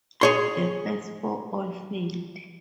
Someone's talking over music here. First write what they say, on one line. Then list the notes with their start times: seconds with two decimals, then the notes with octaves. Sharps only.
The first four all failed.
0.21 G#4 C#5 C6